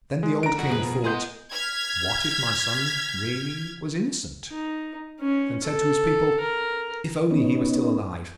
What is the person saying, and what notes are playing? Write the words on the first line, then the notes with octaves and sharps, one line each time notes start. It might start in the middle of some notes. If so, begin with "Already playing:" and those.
Then the old King thought, 'What if my son really was innocent?' and said to his people, 'If only he were still alive!
G#3
D3 A#5 D7
F2 F#4
F3 G#4 A#4 B4
B2
B3 G#4 D#5 C6 G6
F6 G#6 B6
D#4
C#4
A4
A#4
B3 C#4 D#4